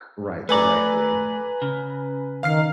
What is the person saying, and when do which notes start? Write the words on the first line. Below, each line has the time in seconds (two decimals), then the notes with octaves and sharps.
Right. Directly.
0.49 A3 B4 D5 G#5 A#5
1.62 C#3
2.43 D#3 F5 F6 C7